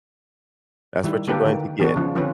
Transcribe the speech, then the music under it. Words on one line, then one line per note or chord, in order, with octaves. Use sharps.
That's what you're going to get.
D#3 G3 E4
D3 A#3 G4 A4 B4
D#3
E3 B3 D4 F#4
C#3 F3
D3 F3 C4 C#4 B4